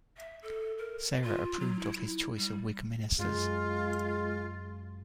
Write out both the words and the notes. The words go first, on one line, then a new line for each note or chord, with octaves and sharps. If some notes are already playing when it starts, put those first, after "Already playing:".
Sarah approved of his choice of Whig ministers.
E5
A4
A#4
F4
F#3
E4
E4
G3
F#2 G#3 F4